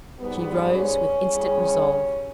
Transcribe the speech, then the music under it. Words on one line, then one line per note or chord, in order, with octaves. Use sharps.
She rose with instant resolve.
G#2 G3 B3
C#4
E2 C#3 G3